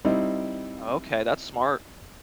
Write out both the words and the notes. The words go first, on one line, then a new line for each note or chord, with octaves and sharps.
Okay, that's smart.
G3 C4 D#4 E4